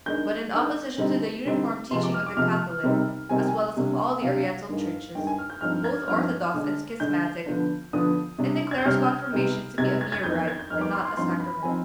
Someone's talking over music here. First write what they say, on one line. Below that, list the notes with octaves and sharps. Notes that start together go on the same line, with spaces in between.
But, in opposition to the uniform teaching of the Catholic, as well as of all the Oriental churches, both orthodox and schismatic, it declares Confirmation to be a mere rite and not a Sacrament.
D#3 G#3 D4 G6
D#3 G#3 D4
D3 G3 C4 D#4
D3 G3 C4 D#4
C3 F3 G#3 C6
D6
F6
D6
C3 F3 G#3 F6
C3 D#3 G3 C4 D#4
C3 D#3 G3 C4 D#4 G#5
G5
G#5
C3 G3 D4
C3 G3 D4 F5
G2 D#3 G#3
G2 D#3 G#3 G5
G#5
F6
G6
G2 F3 G#3 C4 D#4 F6
G#6
G2 F3 G#3 C4 D#4 F6
D3 G#3 D4
D3 G#3 D4 G6
D3 F3 B3 D4
D3 F3 B3 D4 D#6
C3 G3 D4
G#6
G6
C3 G3 D4 F6
C3 G3 B3 D#4
C3 G3 B3 D#4 G#6
G#6
G#6
F2 D#3 B3 D#4 G6
G6
G#6
G6
F2 D#3 B3 D#4 F6
D6
C6
C6
G2 F3 C4 D#4 C6
B5
F3 C4 D#4 G#5